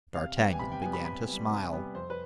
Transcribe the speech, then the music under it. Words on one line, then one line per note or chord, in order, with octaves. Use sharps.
D'Artagnan began to smile.
C3 F5
G3 B3 G5
G#5
C3 B5
G5
G3 B3 G#5
B5
C3 B5
G3 B3
C3
G3 B3
F2 C5
B4